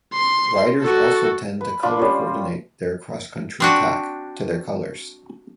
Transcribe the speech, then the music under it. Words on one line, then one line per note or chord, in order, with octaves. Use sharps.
Riders also tend to color-coordinate their cross-country tack to their colors.
C6
F#4 A4
B4
D4 F4 B5 D6
G3 C#4 C6
C4 D4 F#4